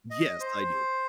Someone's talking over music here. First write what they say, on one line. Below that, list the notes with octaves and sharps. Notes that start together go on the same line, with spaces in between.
Yes, I do.
D#5
C5